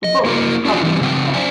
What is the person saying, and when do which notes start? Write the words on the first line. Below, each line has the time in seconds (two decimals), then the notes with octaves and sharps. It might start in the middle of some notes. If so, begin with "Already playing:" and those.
The book was published in France.
0.04 D#5
0.25 A#3 E4 F#4 A#4
0.65 C#4 D4 F4 F#4
0.84 E3 G3 C4
1.01 C#3 F#3 C4 G5
1.34 C5 D5 G#5